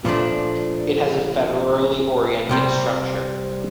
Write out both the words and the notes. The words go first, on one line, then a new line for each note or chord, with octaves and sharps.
It has a federally orientated structure.
A#2 F3 A3 D4
C2 C3 G3 C4